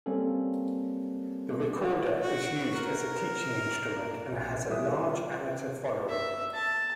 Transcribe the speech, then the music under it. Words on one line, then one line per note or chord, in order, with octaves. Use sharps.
The recorder is used as a teaching instrument and has a large amateur following.
G3 A#3 C4 C#4 A4
F#4
A#4
A#1
E3 G3 E5 D#6
F4
E5
A5